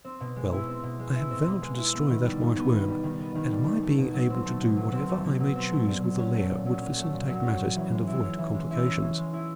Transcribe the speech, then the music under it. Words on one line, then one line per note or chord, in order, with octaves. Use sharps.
"Well, I have vowed to destroy that White Worm, and my being able to do whatever I may choose with the Lair would facilitate matters and avoid complications."
C4
B2
G#3
E4
C4
B2
G#3
E4
C4
B2
G#3
E4
B3
D#3
G3
D#3
B3
D#3
G3
D#3
B3
D#3
G3
D#3
A3
B2
F#3
C4
A3
B2
F#3
C4
A3
B2
F#3
C4
A3
A#2
F#3
C#4
A3
A#2
F#3
C#4
A3
A#2
F#3
C#4
C#4
E3
G#3
E4
C#4
E3
G#3
E4
C#4
E3
G#3
E4